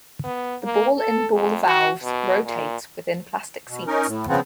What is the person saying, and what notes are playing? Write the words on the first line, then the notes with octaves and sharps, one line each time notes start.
The ball in ball valves rotates within plastic seats.
B3
A#3
A4
F2
F#4
B2
A#2
B2
C#4 D#4 A#4
A2
C#3 F3 B3 C4